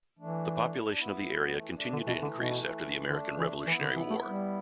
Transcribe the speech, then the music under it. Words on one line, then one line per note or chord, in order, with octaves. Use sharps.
The population of the area continued to increase after the American Revolutionary War.
E3 A3 D4
E4
D4
B3 E4
G3 B3
G3
E3 A3
A3 D4
D3 E3 A3
B2
D3
B2
D3 A3 D4
E3
D4
E3 B3 E4
D3
E3
A3
G3